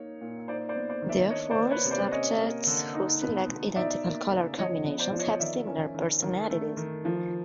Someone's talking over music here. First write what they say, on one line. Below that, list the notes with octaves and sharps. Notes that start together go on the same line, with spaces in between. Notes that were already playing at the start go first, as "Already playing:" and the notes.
Therefore, subjects who select identical color combinations have similar personalities.
Already playing: A#3 D#4 C#5
A#2
D#4 C5 D5
C5 D5
B3
C5 D5
D#3
D5 E5
D4 C#5 D#5
C5 D5
A#3
B4 C#5
C3
C5 D5
C#4 C#5 D#5
A#3
D3
D#4
B3
B2
D#4 D5 E5
A#3
C#3
F3 C#5 D#5
B3
C5 D5
F3
C#5 D#5
D#3 D5 E5
C#4
D#3
D#3
A3
D#3
F3